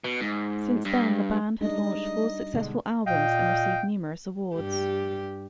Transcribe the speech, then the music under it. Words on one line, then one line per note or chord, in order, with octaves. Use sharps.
Since then, the band had launched four successful albums, and received numerous awards.
B2
G#2
G2
G3 G#3 D4 D#4 D#5
B2 D3 G#3
A#2 D#5 F5 G5
G2 G4